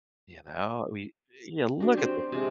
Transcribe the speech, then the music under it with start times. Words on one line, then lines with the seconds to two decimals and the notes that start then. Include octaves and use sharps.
You know? We, eh, yeah, look at the
1.80 D4 F#4
1.97 C4 G4 C5
2.32 C3 G#3